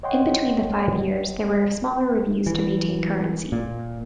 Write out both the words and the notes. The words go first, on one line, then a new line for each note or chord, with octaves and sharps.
In between the five years, there were smaller reviews to maintain currency.
C#5 D#5 F#5 G5 C6
E3
A#2